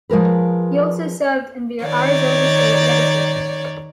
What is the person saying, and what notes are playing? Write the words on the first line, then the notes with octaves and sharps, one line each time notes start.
He also served in the Arizona State Legislature.
F3 G#3 A#4 B4
D#3 C#5 D5